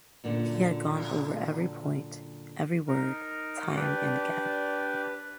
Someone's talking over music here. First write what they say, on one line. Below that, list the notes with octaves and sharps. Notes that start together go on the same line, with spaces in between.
He had gone over every point, every word, time and again.
F#2 A#2 D3
D#4 A#4
D4 G4 B4 D5